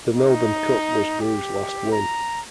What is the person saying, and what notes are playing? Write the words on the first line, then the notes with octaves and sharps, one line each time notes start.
The Melbourne Cup was Brew's last win.
D#4
G4
A#5